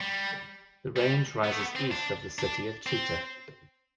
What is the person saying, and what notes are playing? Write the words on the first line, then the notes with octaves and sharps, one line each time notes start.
The range rises east of the city of Chita.
G3
G3
B3
A3
B3
C4
D4
D4
C4